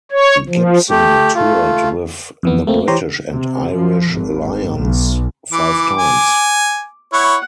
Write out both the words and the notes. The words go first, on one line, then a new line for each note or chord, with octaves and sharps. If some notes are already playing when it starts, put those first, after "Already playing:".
Gibson toured with the British and Irish Lions five times.
C#5
F3
A3 G4
A3 F4
F2 E3 B3
A3 A#3 C4
E3 G4 C5 C#5 A#5 C6
C3
F3
G#1
B1
E3 D6
G#5
E4 C#5 F#5